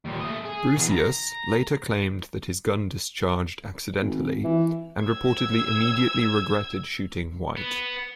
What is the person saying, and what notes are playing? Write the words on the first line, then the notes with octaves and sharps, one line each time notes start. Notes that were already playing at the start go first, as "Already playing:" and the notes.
Brocius later claimed that his gun discharged accidentally and reportedly immediately regretted shooting White.
D#2 A#2
A3 D#5
G#4
B2 E3
A#5
G#1
E3
E6 G#6
B3